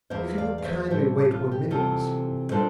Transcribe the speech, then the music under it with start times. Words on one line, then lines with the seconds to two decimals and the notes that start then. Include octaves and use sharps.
'If you will kindly wait one minute, Miss Yule.
0.10 E2 E3 A#3 C5 E5
0.38 D5 F5
0.58 F5
0.64 C5 E5
0.90 A2 E3 G3 C5 E5
1.31 F4
1.51 G4
1.70 C3 E3 G3 C4 F4 A4
2.51 A#2 G3 D4 F4 A4 C5